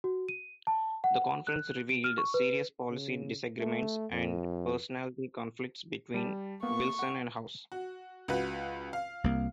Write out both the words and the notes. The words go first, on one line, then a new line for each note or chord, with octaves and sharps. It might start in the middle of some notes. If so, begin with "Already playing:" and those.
The conference revealed serious policy disagreements and personality conflicts between Wilson and House.
F#4
D#7
A5
F#5
F#6
D7
F6
C#6
B4
C#3
A3
F2
G3 A5
A#3 B3 F5 C#6
F#5
F#4
C#2 F#4 B4
F5
C2 A#3